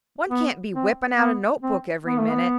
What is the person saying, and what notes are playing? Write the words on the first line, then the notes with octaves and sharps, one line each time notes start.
One can't be whipping out a note-book every minute.
B3
C4
B3
C4
B3
A3
B3